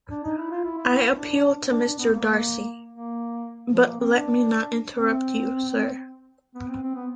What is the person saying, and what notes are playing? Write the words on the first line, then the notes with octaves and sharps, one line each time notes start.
I appeal to Mr. Darcy: — but let me not interrupt you, Sir.
D4
D#4
E4
F4
E4
E4
E4
D4
D4
D4
B3
A#3
A#3
F3
A#3
C4
D4
C4
B3
C4
C4
B3